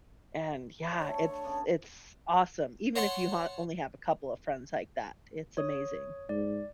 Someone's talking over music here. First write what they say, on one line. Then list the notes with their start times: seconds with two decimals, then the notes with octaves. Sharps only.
and yeah it's it's awesome. Even if you ho only have a couple of friends like that, it's amazing.
0.99 D3 A3 C#5
1.45 C#3 B3 D4
2.96 C#5 F#5 A5 C6 C#6
5.57 C#5 D#6
6.29 G#2 D5